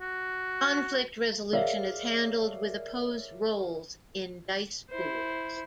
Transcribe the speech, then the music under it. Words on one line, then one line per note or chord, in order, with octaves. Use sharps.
Conflict resolution is handled with opposed rolls in dice pools.
F#4
G#4 A#4 C#5 D5 E5 F5
E4 C5